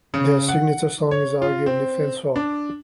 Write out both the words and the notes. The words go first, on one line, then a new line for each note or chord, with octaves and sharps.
Their signature song is arguably Fencewalk.
C#3
F#5
C#5
F4
C4
D4